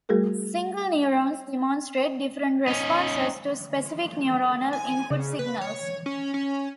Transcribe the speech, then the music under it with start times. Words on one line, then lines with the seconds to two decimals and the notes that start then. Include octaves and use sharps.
Single neurons demonstrate different responses to specific neuronal input signals.
0.09 G3 A3 F#4 G#4 A#4
2.68 C#4 D#4
4.73 G#5
5.10 C#3
5.39 B4
5.61 C#5
6.06 C#4
6.34 C#4